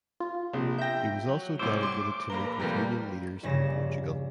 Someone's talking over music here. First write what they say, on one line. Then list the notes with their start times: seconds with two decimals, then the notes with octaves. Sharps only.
He was also delegated to meet with union leaders in Portugal.
0.20 F4
0.53 A#1 C3
0.78 E5 G5 G6 A#6
1.29 F#3
1.59 C2 A2 C5 C#5 D6 E6 D7
1.83 C6
2.30 A#1 A#3 B4 A#5 G7
2.60 C2 F2 A#2 G3 A3 A#3
3.43 A#1 G2 A#2 C#3 A#6 E7